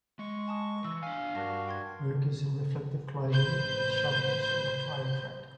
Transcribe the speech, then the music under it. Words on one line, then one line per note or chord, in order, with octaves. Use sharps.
Workers in reflective clothing with shovels on a train track.
G#3 C#6
G#5 A5 D#6
E3 E6
D4 F5 G#5
G2 D4 F#4 A#4 A5 A#6
G5 C6 G#6
A1 B4 C5 G6